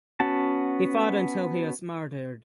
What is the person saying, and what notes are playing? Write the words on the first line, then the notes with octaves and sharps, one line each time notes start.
He fought until he was martyred.
B3 C#4 F#4 A5